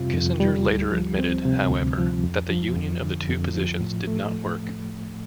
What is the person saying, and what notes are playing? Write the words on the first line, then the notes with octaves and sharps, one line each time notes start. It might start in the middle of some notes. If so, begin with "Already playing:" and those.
Kissinger later admitted, however, that the union of the two positions did not work.
Already playing: F2 C3 G3 F4
F2
G3
D2
F3
C4
C3
D2
F3
F2
F3
F2
D3
F2
F3
A2
A3